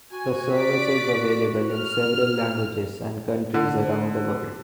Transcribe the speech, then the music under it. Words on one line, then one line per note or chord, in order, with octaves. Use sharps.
The service is available in several languages and countries around the world.
F#4 G#5
D5 B6 D7
F6
D3